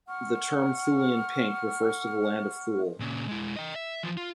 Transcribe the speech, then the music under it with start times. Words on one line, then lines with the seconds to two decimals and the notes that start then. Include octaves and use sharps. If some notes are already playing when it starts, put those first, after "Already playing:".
The term "Thulian pink" refers to the land of Thule.
0.08 F#5 C#6 F6
3.00 A#2 C#3
3.29 G#3 E4
3.56 D#5 G5
3.76 E5
4.03 E3 F3
4.17 F4